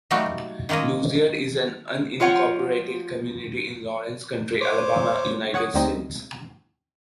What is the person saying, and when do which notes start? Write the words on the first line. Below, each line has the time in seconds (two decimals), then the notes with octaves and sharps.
Loosier is an unincorporated community in Lawrence County, Alabama, United States.
0.11 F#3 G3 A3 A#3 D#4 F#4
0.69 D#3 G#3 A#3 C#4 D#5
2.20 F3 F4 C#5 F#5
4.61 C5 C#5 D6
5.54 C#5 F#5 C#6 D#6 G#6
5.74 D2 G3 C4 D#4 D#5